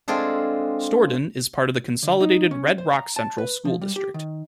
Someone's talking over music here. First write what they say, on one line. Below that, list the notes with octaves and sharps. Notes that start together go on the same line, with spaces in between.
Storden is part of the consolidated Red Rock Central School District.
G#3 C4 D4 F4 G#4 A4
D3
D#4
C#4
C5
A#5
A5
B4
F3
G3
G4
D#3